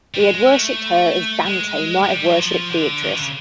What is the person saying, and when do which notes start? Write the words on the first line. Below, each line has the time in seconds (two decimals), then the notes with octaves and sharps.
He had worshiped her, as Dante might have worshiped Beatrice.
0.14 G3
0.20 G#3
0.52 A3
1.46 G#3
2.03 G#3
2.08 G3
2.25 F#3
2.40 F3
2.71 D3
3.03 D#3
3.10 D3
3.18 C#3